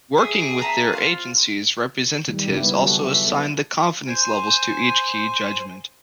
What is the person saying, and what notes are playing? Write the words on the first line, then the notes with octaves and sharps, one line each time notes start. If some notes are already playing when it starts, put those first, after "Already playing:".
Working with their agencies, representatives also assign the confidence levels to each key judgment.
G#4 E5
E5 A5 A#5
F4 C5 F5
D#3 G3
C#3 B3 E4
G3
F#3 F#4 G#4 A4
E5
B3 A4
C5 G#5